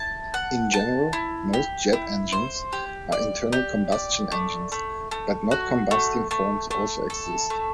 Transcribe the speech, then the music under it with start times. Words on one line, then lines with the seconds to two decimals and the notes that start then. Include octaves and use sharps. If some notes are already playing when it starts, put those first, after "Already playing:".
In general, most jet engines are internal combustion engines but non-combusting forms also exist.
Already playing: E4 A5
0.34 F#5
0.74 A5
1.13 E4
1.53 G4
1.93 E4
2.32 C5
2.73 G4
3.12 D5
3.52 G4
3.92 D5
4.32 A3
4.72 A3
5.11 A3
5.51 F#4
5.91 A3
6.31 A3
6.71 A3
7.10 A4
7.50 A3